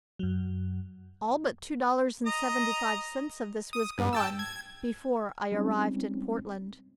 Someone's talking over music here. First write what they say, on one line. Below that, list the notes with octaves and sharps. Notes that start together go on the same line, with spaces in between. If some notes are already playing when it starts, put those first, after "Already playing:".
All but two dollars and seventy-five cents of this was gone before I arrived in Portland.
F#2 F#3
D#5 A#5 D#6
D#6
G2
G5 A5 E6
G#6
G3 G#3 C4 C#4 D#4